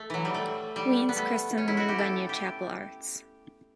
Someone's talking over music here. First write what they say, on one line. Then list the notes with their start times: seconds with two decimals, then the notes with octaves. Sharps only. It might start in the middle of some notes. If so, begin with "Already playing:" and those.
Wiens christened the new venue Chapel Arts.
Already playing: A3
0.10 E3 F#3
0.25 G3
0.34 A3
0.76 G3
1.09 B3
1.17 A3
1.58 C#4
1.68 E4
1.77 F#4
1.89 G4
1.98 A4
2.29 G4